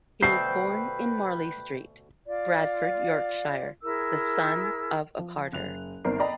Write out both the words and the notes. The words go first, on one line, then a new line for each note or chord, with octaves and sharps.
He was born in Marley Street, Bradford, Yorkshire, the son of a carter.
D2 B2 B4 C5 G5 E6 C7
F4 D5
E4 G#4 A#4 E6
F3
F#1 F#6 F7
G1 D#3 C4 A#4 D5 C7
D5 D#5 G5 A#5 B5